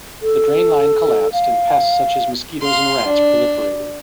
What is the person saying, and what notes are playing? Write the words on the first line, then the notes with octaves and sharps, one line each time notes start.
The drain line collapsed and pests such as mosquitos and rats proliferated.
A4
F5
F5 C6
D4